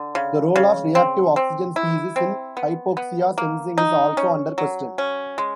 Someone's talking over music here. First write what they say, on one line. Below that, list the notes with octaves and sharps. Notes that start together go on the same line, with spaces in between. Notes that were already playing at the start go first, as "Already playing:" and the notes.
The role of reactive oxygen species in hypoxia sensing is also under question.
Already playing: D3
C#3
C#3
C4
C4
E4
C4
B3
B3
A#3
D#4
C#4
F#3
C#4
G#3